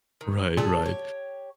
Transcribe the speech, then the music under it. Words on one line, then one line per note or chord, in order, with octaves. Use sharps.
Right, right.
D#3
A#2 G#4 A4
G4 C#5